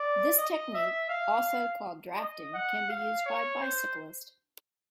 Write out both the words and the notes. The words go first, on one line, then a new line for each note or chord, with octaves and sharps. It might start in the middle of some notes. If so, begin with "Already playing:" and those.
This technique, also called Drafting can be used by bicyclists.
Already playing: D5
D#5
E5
F5
D#5
F#5
F5
C#5
C5